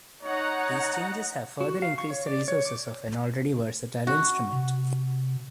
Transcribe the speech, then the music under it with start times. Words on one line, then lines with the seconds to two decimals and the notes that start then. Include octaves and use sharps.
These changes have further increased the resources of an already versatile instrument.
0.23 D#4 C#5 F#5 A#5
1.61 F#4
1.82 F5
1.98 C#6
2.10 C#5
2.26 D5
2.48 C#5
2.65 D6
4.07 F#4
4.53 C3